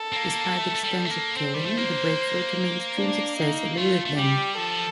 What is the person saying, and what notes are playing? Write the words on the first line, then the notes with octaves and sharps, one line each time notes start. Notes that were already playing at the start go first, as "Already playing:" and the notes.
Despite extensive touring, the breakthrough to mainstream success eluded them.
Already playing: A4
C4
A#3
A3
A3
G3
A3
A#3
C4 C5
G3
A3
A#3
D4
D#4
A3 F4
A3
G3 G4
F3 A4